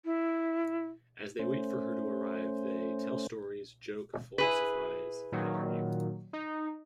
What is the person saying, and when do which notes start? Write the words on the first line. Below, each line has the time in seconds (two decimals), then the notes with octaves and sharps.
As they wait for her to arrive they tell stories, joke, philosophize, and argue.
0.05 E4
1.39 A3 C#4 C5
4.38 E4 G#4 B4
5.32 A#2 D#3 F#3
6.33 D#4